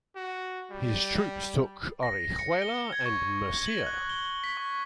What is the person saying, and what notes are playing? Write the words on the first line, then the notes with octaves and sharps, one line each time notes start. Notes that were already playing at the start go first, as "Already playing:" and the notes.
His troops took Orihuela and Murcia.
F#4
G3
A#6
C#7
G7
G#6
C#6
F#7
F#6
G7
B6
C#6